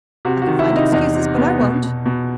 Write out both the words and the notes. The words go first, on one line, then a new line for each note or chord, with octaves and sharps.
I could find excuses, but I won't.
C3 F#4
F#4
D#3
E4
C3
D#4
E2 D#4
C3
B3
B2
B2
B2